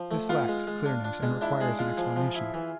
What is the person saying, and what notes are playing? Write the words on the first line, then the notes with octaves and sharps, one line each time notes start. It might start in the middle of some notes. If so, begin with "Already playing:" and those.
This lacks clearness, and requires an explanation.
Already playing: F3
A3
B3 F4
G#3
G#3
D4
D4
G#3
D4 E4
G#3 G#4
G#3 F4
F3
F3
E4
E3